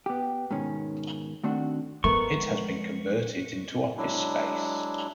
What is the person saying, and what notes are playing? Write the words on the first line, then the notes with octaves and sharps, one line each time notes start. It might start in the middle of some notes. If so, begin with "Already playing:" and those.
It has been converted into office space.
B3 G4
G#2 B2 D#3 C#4
D#3 A3 C4 D4 F#4
F3 G#3 A3 B3 A#4 C#6
F#3 G#3 D4 E4